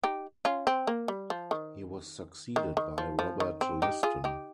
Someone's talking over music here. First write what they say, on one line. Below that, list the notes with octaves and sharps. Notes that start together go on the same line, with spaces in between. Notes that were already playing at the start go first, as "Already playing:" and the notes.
He was succeeded by Robert Liston.
D#4 G4
C#4 F4
C4
A#3
G3
F3
D#3
D#3
D#3
F3
F3
D#3
C4
D#4 G4
F4 G#4
D#4 G4